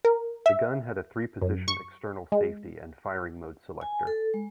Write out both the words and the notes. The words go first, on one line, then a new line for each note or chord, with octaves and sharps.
The gun had a three-position external safety and firing mode selector.
A#4
E5
F#2
C#6
G#3
G#5
A4
G#3